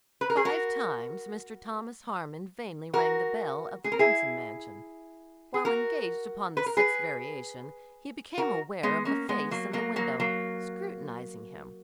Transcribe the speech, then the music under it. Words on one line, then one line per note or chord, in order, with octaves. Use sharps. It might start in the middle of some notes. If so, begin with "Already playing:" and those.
FIVE times Mr. Thomas Harmon vainly rang the bell of the Remsen mansion. While engaged upon the sixth variation he became aware of a face in the window, scrutinizing him.
B4
A#4
G#4
F#4 A#4
F#4 A#4
G#4
A#4
E4 G#4
G#4
F#4 A#4
B4
A#4
G#4 B4
F#4 A#4
G#3 B3
A#3 C#4
G#3 B3
F#3 A#3
F#3 A#3
F#3 A#3
F#3 A#3